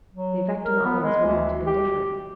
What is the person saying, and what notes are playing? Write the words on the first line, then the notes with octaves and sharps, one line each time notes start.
The effect on others would not have been different.
F#3
A#4
B3
G#3
D2
G4